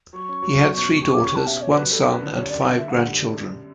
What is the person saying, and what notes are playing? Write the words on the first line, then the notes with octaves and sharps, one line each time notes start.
He had three daughters, one son, and five grandchildren.
F#3 C#6
C#4
F#3
F#3
B2
B2
G4 C#6
C#4 D6
C#6
G4 A5
B2 E5
G4 C#5
F#3 B4
G3 A4
F#2
B4
D3
G3 C#5
F#2 D5
D3 F#5
D3 E5
G3 F#5
G3